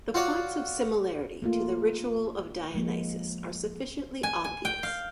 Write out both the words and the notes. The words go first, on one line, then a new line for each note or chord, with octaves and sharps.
The points of similarity to the ritual of Dionysus are sufficiently obvious.
F4 F#4 C#5 D5
A3 A#3 F4
F3 G#3 A#3
G#5
G#5
G5
F5